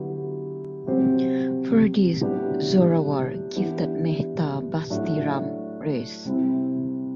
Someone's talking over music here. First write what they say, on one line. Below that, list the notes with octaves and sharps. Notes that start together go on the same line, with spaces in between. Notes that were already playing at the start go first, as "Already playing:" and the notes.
For this Zorawar gifted Mehta Basti Ram Rs.
Already playing: D3 F#3 B3 E4 G4
C3 F#3 C4 G4 C5
A2 F#3 B3 D4 G4
E3 B3 D4 G4
A2 F#3 A3 D4
C3 G3 C4 E4